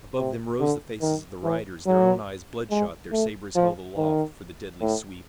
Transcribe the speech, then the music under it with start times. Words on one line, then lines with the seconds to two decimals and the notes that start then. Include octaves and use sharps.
Above them rose the faces of the riders, their own eyes bloodshot, their sabers held aloft for the deadly sweep.
0.17 C3
0.60 D3
1.02 D#3
1.43 E3
1.86 F#3
2.71 G#3
3.12 A3
3.55 F3
3.97 D#3
4.81 A2